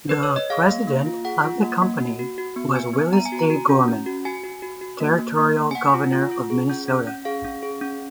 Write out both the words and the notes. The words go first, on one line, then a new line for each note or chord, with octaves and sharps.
The president of the company was Willis A. Gorman, Territorial Governor of Minnesota.
B4
C#5
D#5
G#4 F5
A#3
A#3
F4
G#4 F#5
F4
A#3
A#3
F#4
F#4
F#4
B3
B3 G#5
B3
B3 A#5
G#5
F#4
A#5
F#4
C#4
C#4
F#4
F#4 G#5
F#4
F#4
F#4
A#3
A#3
A#3
A#3
G#5
A#3 F#5
F4
F4
F4
G#4
C#4
C#4
C#4
G#4 F5
C#4
G#4
C#4